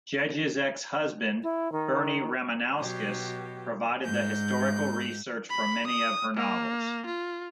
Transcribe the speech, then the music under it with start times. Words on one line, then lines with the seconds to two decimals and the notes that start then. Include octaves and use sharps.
Gedge's ex-husband, Bernie Ramanauskas, provided the historical research for many of her novels.
1.43 E4
1.72 D#3
2.78 B2 F#3 G4
4.04 G#2 G6
5.50 B5
5.87 D#6
6.37 A#3
7.06 F4